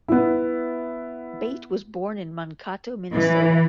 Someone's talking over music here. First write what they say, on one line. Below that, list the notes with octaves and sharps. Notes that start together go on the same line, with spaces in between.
Bate was born in Mankato, Minnesota.
B3 E4
E3